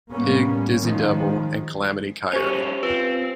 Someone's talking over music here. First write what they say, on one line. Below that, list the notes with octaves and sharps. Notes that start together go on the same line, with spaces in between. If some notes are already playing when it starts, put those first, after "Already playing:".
Pig, Dizzy Devil and Calamity Coyote.
A2 G3 A#3 B3 C#4
D#3 F3 G#3
G2 C#4 G4 C5
C4 F4 B4